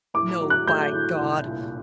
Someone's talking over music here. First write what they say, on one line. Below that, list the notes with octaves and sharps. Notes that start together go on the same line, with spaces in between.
No, by God!
A2 D6
F#3
F#6
A3 G6
A2
C2
A#2